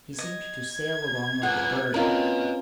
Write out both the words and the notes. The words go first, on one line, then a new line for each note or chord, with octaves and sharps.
He seemed to sail along like a bird.
D#5 G#6
F4 G#4 B4 F#5
C4 C#4 F4 A#4 B4 D#5